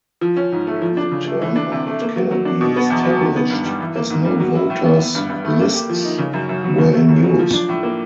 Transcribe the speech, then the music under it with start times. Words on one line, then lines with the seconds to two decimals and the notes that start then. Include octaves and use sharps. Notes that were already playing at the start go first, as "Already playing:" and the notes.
The turnout cannot be established, as no voters lists were in use.
0.21 F3
0.37 C#4
0.52 G#2
0.67 A3
0.82 F3
0.97 D4
1.11 C#3
1.27 A3
1.42 E3
1.56 D4
1.72 C3
1.87 A3
2.01 A#3
2.16 F#3
2.31 F#3
2.45 D4
2.61 B2
2.76 B3
2.90 E2
3.05 F#3
3.20 D#3
3.36 B3
3.50 G2
3.66 G3
3.80 E3
3.96 A#3
4.10 G#2
4.25 G3
4.40 F#3
4.55 E4
4.70 A2
4.85 B3
4.99 E3
5.15 G2
5.30 G2
5.45 A3
5.60 A#3
5.74 G4
5.89 F3
6.05 D#4
6.19 C#3
6.33 F#2
6.49 F#2
6.64 F#3
6.78 C#3
6.93 A3
7.08 F#2
7.23 F#3
7.39 F3
7.53 D4
7.69 A2
7.83 A#3